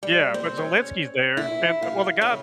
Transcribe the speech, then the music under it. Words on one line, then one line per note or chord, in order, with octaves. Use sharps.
Yeah. But Zelenski's there. And well the guy
G3
C4
C#4
E4
F5
C#3